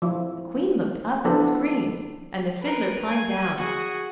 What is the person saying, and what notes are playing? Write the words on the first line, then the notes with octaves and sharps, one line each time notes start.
The queen looked up and screamed, and the Fiddler climbed down.
F3 E4
F3 B3 D4 E4 A4 C5
A#4 B4
G#5
F#4 G#4